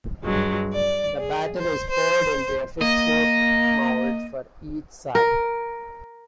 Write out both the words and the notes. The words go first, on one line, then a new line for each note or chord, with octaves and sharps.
The batter is poured into a fish-shaped mould for each side.
G2 F#3 G#3
D5
G#4
C5
C5
A#3 D#5
A#4